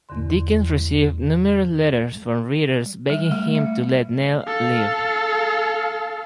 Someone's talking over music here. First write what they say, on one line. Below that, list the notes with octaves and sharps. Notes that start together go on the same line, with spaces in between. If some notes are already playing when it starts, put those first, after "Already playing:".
Dickens received numerous letters from readers begging him to let Nell live.
E2 G2 D3 C6
G3
A3
E5
A4 F5